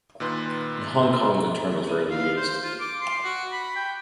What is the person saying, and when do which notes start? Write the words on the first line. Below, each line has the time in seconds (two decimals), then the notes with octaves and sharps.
In Hong Kong the term is rarely used.
0.20 A#2 D#3 B4 C6
2.10 F5
2.37 C5
2.63 F4
2.80 D6
3.01 C6
3.24 F#4
3.52 B5
3.76 G5